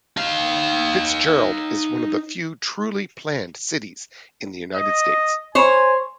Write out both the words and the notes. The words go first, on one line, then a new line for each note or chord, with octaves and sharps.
Fitzgerald is one of the few truly planned cities in the United States.
D#4 F5
D#5
C5 C#5 G#5